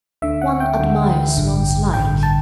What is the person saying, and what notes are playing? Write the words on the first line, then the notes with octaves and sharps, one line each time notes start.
One admires one's like.
D2 D3 E5
F#5
G5
D2 D3
A1 G2 D3
A1 G2 D3 G5
A5